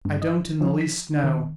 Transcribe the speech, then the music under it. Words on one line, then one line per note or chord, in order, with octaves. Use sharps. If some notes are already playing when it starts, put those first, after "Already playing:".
"I don't in the least know."
G2
D#5
F3
B6
D#3